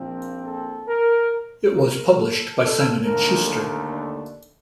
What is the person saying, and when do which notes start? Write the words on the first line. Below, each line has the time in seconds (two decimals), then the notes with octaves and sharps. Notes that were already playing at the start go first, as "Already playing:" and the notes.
It was published by Simon and Schuster.
Already playing: A#1 A#2 F3 C4
0.44 A4
0.88 A#4
1.75 A#4
2.18 A4
2.61 A4
3.04 D#2 D3 A3 A#4
3.47 A#4
3.90 D4